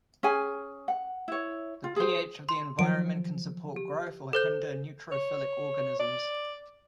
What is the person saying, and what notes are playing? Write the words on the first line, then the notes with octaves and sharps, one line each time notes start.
The pH of the environment can support growth or hinder neutrophilic organisms.
C#4 G#4 G#5
F#5
E4 C#5
F4
G#4 C5
C6
D#3 F3 F#3 D7
G4
A4 C5 G6
C#5
D5